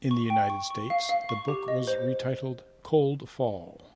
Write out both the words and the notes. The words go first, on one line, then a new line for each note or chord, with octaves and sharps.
In the United States, the book was retitled "Cold Fall".
C#6
G5
C#6
C#6
F5
F5
C#6
G4
D#5
C5